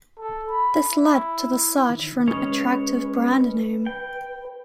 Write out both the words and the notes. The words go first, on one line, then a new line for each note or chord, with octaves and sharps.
This led to the search for an attractive brand name.
A4
B5
E4
D#3
G#3 C#4 B4 C#5
G5